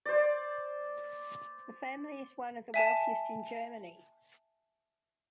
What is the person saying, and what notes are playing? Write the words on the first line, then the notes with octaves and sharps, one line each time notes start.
The family is one of the wealthiest in Germany.
C5 D5
E5 G#5 A5